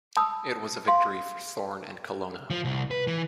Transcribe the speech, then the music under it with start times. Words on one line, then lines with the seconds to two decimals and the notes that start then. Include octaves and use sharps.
It was a victory for Thorn and Colonna.
0.17 A5 B5 D#6 E6
0.88 F5 C6
2.50 F3
2.65 C2
2.91 B4
3.07 E3